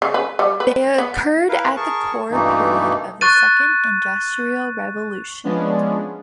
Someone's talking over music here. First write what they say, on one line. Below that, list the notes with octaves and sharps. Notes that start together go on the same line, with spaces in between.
They occurred at the core period of the Second Industrial Revolution.
C#3
B4
G3
B4
B3
E4 A#4 B4 F5
G#4 A#4 A5 C#6
G2 B2 E3 A3 A#3 D#4
C#6 F#6 A6 D#7
F3 G#3 B3 C#4 D4